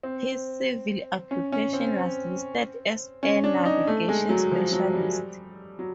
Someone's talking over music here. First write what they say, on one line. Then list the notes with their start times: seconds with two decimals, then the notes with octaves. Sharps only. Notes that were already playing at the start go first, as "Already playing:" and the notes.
His civil occupation was listed as Air Navigation Specialist.
0.03 C4
1.31 C#4
1.52 C#4
1.73 C4
3.23 C#4
3.44 D4
3.65 D#4
3.87 A3
4.09 G#3
4.29 F#3
4.51 F3
4.72 F#3
4.94 G3
5.79 F#3